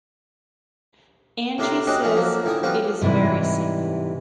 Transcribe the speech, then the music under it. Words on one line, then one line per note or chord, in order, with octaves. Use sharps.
Ange says it is very sinful.
A2 C3 D4 A#4 B5 C6
C#4 D4 F#4 G4 D#5
F3 G#3 C#4 F4
F3 F#3 A#3
D3 D#3 E4 G#5 D#6
F3 G3 B3 C#4 F4 F#4
G#2 C3 E3 G3 E4